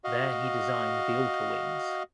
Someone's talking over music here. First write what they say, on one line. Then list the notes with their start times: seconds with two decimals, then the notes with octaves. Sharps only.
There he designed the altar wings.
0.04 F#4 D#5 F5